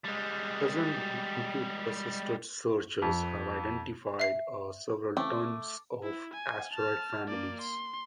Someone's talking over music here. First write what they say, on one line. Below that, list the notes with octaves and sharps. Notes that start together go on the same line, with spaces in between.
Present day computer-assisted searches have identified several tens of asteroid families.
G3 G#3
F2
E5 C7
C#3 E3 A3 C4 D6 A6
E4
G#5
A5 F6
A#3 D5
C6